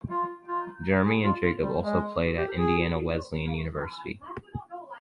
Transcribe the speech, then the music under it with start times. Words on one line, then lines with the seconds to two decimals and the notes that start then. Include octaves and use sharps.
Jeremy and Jacob also played at Indiana Wesleyan University.
0.10 F4
0.48 F4
1.05 G#4
1.24 F4
1.43 F4
1.63 G3
1.82 G#3
2.38 G4
2.58 G#4